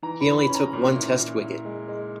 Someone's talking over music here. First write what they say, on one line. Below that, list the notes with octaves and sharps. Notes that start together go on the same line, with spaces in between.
He only took one Test wicket.
E3 A#5
B5
E3
B5
C#4
A#5
A#2
E4
A#2
E4
G#3
G#3